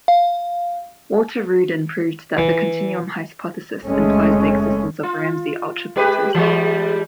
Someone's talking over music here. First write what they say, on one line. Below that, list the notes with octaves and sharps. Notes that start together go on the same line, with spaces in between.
Walter Rudin proved that the continuum hypothesis implies the existence of Ramsey ultrafilters.
F5
E3
F#1 G#3 A3 C#4
F4
G#3 G4 B4
E3 G3 G#3